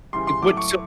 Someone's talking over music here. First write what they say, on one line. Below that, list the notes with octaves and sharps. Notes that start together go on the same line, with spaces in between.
Eh, what so
C#3 E3 G3 C6
C6
A2 F#3 A3 D6
C#6